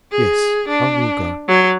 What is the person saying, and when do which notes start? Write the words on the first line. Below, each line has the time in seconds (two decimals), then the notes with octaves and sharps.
"Yes, I will go."
0.11 G#4
0.68 D4
1.48 F#3